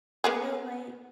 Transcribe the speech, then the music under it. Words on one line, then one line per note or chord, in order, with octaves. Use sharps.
I feel like
A#3 B3 G#4